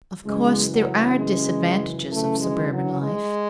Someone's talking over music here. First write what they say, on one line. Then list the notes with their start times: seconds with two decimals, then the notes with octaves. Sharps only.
Of course there are disadvantages of suburban life.
0.25 F#2 C#3 E3 G#3
0.71 F#3
1.16 G#3
2.10 A3
2.39 G#3
2.71 F#3
3.01 G#3